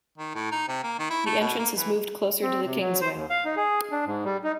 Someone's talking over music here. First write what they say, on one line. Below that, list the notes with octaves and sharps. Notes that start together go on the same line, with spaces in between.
The entrance has moved closer to the Kingsway.
D#3
A2
D#4
C3
A#3
D#3
E4
A3
B2
A#3
E3
C4
C3
F#3
C5
D#2
F5
D#4
G#4
D4
G#2
G3
D#4